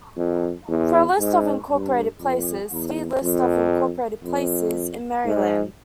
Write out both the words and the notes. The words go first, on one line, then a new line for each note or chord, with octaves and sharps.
For a list of incorporated places, see List of incorporated places in Maryland.
F2
E2
G#2
G2
F2
E2
F2
F2
G#2